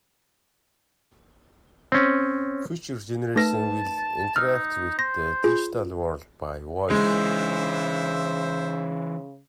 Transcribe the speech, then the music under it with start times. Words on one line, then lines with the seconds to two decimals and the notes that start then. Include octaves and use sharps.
Future generations will interact with the digital world by voice.
1.92 C4 C#4
3.36 A3 D#4 A#4 B4 A5 A#6
4.36 D#4 E6 F6
4.99 C5 A#6
5.44 F4 G#4
6.90 C#3 E3 G#3 D#4 C5 E5